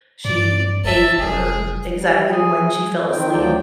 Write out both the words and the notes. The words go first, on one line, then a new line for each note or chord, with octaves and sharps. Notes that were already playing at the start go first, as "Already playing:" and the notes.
she ate or exactly when she fell asleep
G2 D5
F#1 E5 A5
F1 G#4
G3
G#4 G#5
D#3 C4 G5
D2 F3 F#3 D5 G5